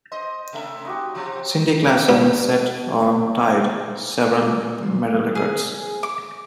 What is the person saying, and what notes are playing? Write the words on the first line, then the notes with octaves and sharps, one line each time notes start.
Cindy Klassen set or tied several medal records.
C5 D#5
C3 A3 E5
D#4 F#4 G4
B2 F3 F#3
A#2 B3
G#4
D6